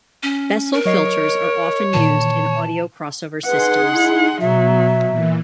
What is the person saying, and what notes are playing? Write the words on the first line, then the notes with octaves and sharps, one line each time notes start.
Bessel filters are often used in audio crossover systems.
C#4
A#4
F#3 C#5 D#5 C7
D#5
A#2 D#3 E3 A5
D#4 G#4 B4 F#5 C6
E4
B2 F#3 E5
A#2 E3